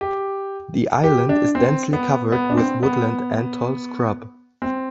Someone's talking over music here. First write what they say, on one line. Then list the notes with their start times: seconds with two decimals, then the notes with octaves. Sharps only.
The island is densely covered with woodland and tall scrub.
0.01 G4
1.04 G4
1.29 D4
1.55 C4
1.93 B3
2.32 B3
2.50 D4
2.57 C4
2.83 B3
4.62 C4